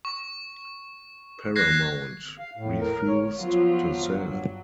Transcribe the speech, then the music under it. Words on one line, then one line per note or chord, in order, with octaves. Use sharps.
Paramount refused to sell.
C#6
F#6 G#6 A#6 C7
F5
A2
A#4
C#5
F3 F#3 B3 F4
G2 F#3